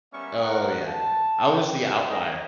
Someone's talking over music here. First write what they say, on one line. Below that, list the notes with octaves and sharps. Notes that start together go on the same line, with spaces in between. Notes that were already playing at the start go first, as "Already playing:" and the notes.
Oh, yeah, I was the outlier.
G3 A#3 B3 C#4 E5 C#6
A#4 F#5
A5
G5
C#4 G#4 A#4 D5 D#5